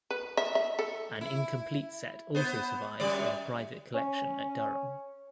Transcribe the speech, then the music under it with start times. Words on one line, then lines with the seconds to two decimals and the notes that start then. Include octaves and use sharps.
An incomplete set also survives in a private collection at Durham.
0.10 B4
0.37 E5
0.55 E5
0.79 A4
1.21 E4
2.35 B3 C5
3.00 F#2 G3 D5
3.94 C#4